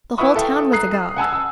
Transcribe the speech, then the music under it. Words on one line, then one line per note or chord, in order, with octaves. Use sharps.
The whole town was agog.
E4 B4 E5 F#5 C#6 D#6
A4 E5 G5
A#5 D#6 F#6 C7
F#5 G#5 A5 E6
E6